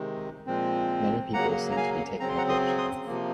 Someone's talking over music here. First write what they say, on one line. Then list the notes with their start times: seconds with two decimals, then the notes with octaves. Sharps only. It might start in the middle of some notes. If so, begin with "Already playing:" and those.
Many people seem to be taking a picture.
Already playing: C3 D#3 G#3
0.47 A#2 F3 G#3 C4
1.33 C#3 F#3 A#3 F#5 A#5
1.71 A#5
1.77 F5 G#5
2.20 C#3 F#3 C4 A#5
2.29 C6
2.38 F#5 A#5
2.49 C6 D#6
2.78 C6 D#6
3.06 C3 F3 A#3